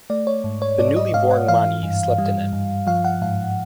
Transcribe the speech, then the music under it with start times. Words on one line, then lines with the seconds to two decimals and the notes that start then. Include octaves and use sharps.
The newly born Mani slept in it.
0.10 A3 D5
0.27 C#5
0.44 G#2
0.62 C#5
0.79 G#2 D5
0.96 D#5
1.13 G#2 F5
1.31 F#5
1.48 E3 F5
1.83 G2
2.18 G3
2.53 G2
2.87 F3 F5
3.05 F#5
3.22 G#2 F5